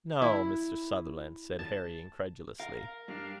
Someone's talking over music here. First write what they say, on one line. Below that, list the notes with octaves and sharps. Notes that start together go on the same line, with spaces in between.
"No, Mr. Sutherland!" said Harry, incredulously.
E4
A5
A#4 F5
G2 D4 F5